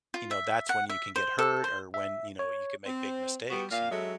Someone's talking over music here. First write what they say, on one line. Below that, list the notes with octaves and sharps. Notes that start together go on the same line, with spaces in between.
you know, that's when you can get hurt or when, you know, you can make big mistakes, you know?
F4
E5
F#5
E5
C5
A4
C5
E5
C#5
C4
G3 B3 F#4 G4
A#2 F5
F#3 G#3 C#4 A4 E5